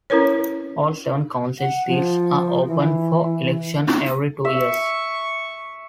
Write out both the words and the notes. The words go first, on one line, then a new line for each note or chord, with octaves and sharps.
All seven council seats are open for election every two years.
C#4 E4 A#4 B4 C#5
F#5
F3
E3
E5 C#6